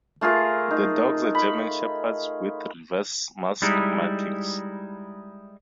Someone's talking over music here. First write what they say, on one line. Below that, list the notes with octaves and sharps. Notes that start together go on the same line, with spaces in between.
The dogs are German Shepherds with "reverse mask" markings.
A3 F4 G#4 A#4
D#4
B5
G3 G#3 D#4 E4